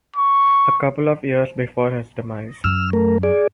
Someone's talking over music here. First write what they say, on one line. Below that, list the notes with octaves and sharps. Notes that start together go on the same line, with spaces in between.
A couple of years before his demise.
C#6
F#2 E6 F6
A3 A#4
G#4 D5